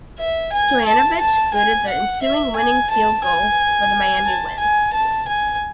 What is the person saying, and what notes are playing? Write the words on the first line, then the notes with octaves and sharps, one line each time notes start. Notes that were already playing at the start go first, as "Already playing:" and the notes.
Stoyanovich booted the ensuing winning field goal for the Miami win.
E5
G#5
A5
A5
G#5
F#5
E5
G#5
A5
G#5
A5
G#5
A5
G#5